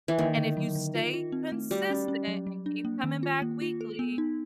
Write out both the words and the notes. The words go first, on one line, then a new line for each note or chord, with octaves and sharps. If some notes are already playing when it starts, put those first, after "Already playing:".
and if you stay consistent and keep coming back weekly,
E3
D#3 A#3
D3
F#3
D3
F4
F4
C4
A3
G3 F#4
C#4
C#4
F#3
F#3
D4
A#3
D#3
F4
A#3
F4
A4
B3
D#4